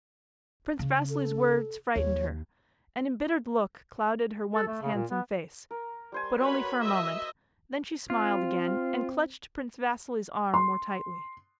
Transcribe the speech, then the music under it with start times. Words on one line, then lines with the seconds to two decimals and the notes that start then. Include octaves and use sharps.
Prince Vasili's words frightened her, an embittered look clouded her once handsome face, but only for a moment; then she smiled again and clutched Prince Vasili's arm more tightly.
0.79 C#3
1.09 A4
1.96 D#2 C#5
4.55 A4
4.68 A3
4.82 C#3
4.94 A#2
5.11 B3
5.71 A#4
6.12 G3 C5 G#5
6.41 F#4 B4 C#5 B5
6.82 D#5 E5
8.10 C4 F4
10.54 C6